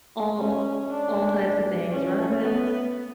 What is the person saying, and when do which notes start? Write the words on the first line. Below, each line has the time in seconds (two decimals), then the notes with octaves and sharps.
all all types of things, rabbits,
0.39 C#4
0.89 D4
1.90 C#4
2.41 B3